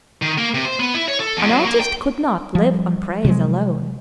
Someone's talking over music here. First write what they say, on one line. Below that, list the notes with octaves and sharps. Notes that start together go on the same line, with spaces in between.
An artist could not live on praise alone.
D#3
A#3
C3
C5
B3
E4
C#5
A4
E2
F#3
A#3
G5
F3 G3
C3 F3 F#3 G#3